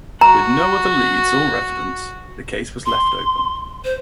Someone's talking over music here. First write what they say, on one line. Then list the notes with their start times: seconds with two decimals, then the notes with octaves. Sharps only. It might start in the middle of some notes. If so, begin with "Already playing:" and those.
With no other leads or evidence, the case was left open.
0.21 F#4 A#5
2.86 C6
3.84 C5